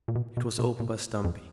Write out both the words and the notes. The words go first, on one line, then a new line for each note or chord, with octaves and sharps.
It was opened by Stumpy.
A#2
B2
B2
B2
A#2
F2